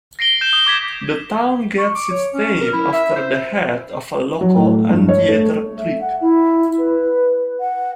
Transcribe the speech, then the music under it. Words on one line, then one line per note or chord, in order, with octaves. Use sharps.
The town gets its name after the head of a local anteater creek.
A#6 C7 D7 G7
G6 E7
D#6
D6 G#6 B6
C#6
D6
C#5
C#4
A#4
E4
E5
C5
F#3
A2
G2
C#5
A3
E5
F#5
E4
B4
F#5